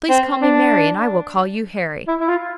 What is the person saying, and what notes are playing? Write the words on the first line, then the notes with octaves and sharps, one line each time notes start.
Please call me Mary, and I will call you Harry.
C4
D4
E4
E4
F4